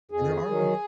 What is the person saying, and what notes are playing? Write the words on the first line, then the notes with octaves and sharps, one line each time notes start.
and there are, like
F2 G#4
D#3 F#3